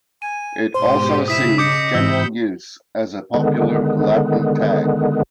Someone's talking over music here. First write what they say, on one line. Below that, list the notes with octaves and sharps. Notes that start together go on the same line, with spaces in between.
It also sees general use as a popular Latin tag.
G#5 D#7
G#2 B2 G4 C5 C6
C#3 E4 D#6 B6 E7
D#5 D6 D#6 G6 C#7
G#2 E3 B5 E6 G6
D3 D#3 G#3 B3